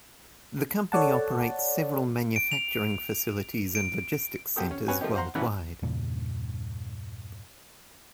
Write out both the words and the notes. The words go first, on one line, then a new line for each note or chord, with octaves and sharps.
The company operates several manufacturing facilities and logistics centers worldwide.
A4 C#5 D5 F#5 A5
D7
F7
D7
F#2 C3 G4 A4 D#6
C#4
C4 C#4 F#4 B4 C#5 G#5
F3 A3 A#3 D#4 G4
C5 F5 F#5 A#5 C6
G#1 F#2 E3 B3 C#4 F#5
E2 G2 A#2 C#3